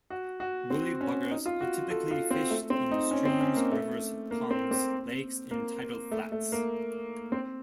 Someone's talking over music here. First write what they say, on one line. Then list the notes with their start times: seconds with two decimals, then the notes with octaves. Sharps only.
Woolly Buggers are typically fished in streams, rivers, ponds, lakes, and tidal flats.
0.10 F#4
0.40 F#4
0.70 C4
1.01 C#4
1.31 D#4
1.46 F4
1.61 F#4
1.90 A4
2.11 F4
2.31 C4
2.50 A3
2.70 C4
2.91 D#4
3.11 C#4
3.25 C4
3.41 C#4
3.56 A#3
3.72 A3
4.31 A#3
4.51 C4
4.71 C4
5.51 A#3
6.11 A3
6.32 A3
6.52 A#3
7.32 C4